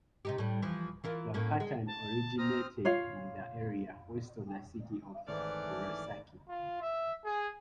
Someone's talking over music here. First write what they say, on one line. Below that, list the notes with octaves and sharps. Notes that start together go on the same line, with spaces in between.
The pattern originated in the area west of the city of Hirosaki.
C3 D#4 G4
A2 G3
E3 F3
E3 F4 A#4
A2 A#3 C#4
G#3
A5
C4 A#5 D#6 F6
F4 C#5 F5
G#1 E3 A3 C#5 D5 D6 F6 G6
F4
E5
G#4